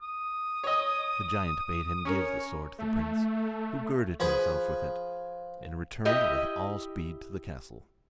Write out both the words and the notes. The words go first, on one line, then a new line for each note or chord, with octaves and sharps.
The giant bade him give the sword to the prince, who girded himself with it, and returned with all speed to the castle.
D#6
C#5 D#5
C#4 A#4 C#5
A3
F3 G#4 B4
E4 G4 D#5